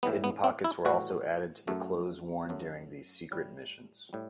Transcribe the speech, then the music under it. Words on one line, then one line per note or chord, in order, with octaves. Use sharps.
Hidden pockets were also added to the clothes worn during these secret missions.
A2 E3 G3 B3
B3
C4
E4
A2 E3 G3 F#4
F#2 F#3 A3
F#2 F#3 A3
A2 G3
A2 G3